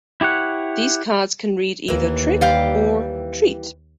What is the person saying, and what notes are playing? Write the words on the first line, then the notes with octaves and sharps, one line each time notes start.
These cards can read either 'Trick' or 'Treat'.
E4 G4 C#5 F#5
D#2 E3 A#3
G3 F5 G5